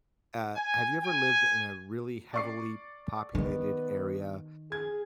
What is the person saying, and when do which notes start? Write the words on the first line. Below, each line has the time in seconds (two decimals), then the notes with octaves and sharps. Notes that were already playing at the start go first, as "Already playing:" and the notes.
uh, have you ever lived in a really heavily populated area?
0.55 G#5
1.03 G#5
2.34 D5 C#6 C7
3.35 D#3 B3
4.72 G#4 G#6